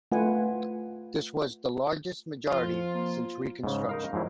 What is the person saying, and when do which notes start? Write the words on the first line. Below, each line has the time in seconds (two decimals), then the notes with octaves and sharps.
This was the largest majority since Reconstruction.
0.12 A3 F4 B4 F#5 G#5
2.51 F2 F3 F4 F5
2.94 A#3
3.64 G#2 C#3
3.89 D#4 A#4 F5
4.13 G#2 F3 F#3 E4